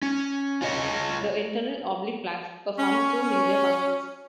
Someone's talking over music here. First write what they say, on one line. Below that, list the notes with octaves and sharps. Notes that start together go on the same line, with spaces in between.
The internal oblique performs two major functions.
C#4
F4 C#5 D#5
C#4